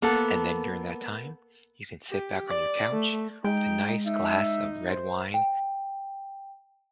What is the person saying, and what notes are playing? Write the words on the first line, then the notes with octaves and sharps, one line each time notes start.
And then during that time, you can sit back on your couch with a nice glass of red wine,
A#3 B3 A4
G4
D5
A3
G#3 D#4 G5
D#4 E5
C5
G5